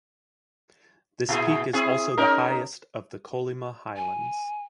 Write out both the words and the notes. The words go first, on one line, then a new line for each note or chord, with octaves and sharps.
This peak is also the highest of the Kolyma Highlands.
A#2 E4 G#4
C4 E4 G#4
C#4 D#4 A#4
G#5